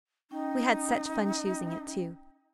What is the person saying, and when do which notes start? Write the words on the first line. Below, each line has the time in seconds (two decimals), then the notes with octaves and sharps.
We had such fun choosing it, too.
0.31 C#4 D#4 G5